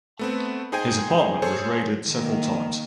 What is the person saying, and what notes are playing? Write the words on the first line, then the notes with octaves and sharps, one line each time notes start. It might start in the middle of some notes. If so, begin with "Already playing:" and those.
His apartment was raided several times.
A3 B3 C4
D#4 G#4 C5 G5 G#5
G#4 A4 C5 C#5
D#3 A#3